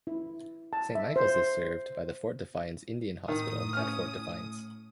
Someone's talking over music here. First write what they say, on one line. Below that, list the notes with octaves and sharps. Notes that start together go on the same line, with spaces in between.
Saint Michaels is served by the Fort Defiance Indian Hospital at Fort Defiance.
E4
A5
E5
C5
A2 D#3 D#6
C#4 F6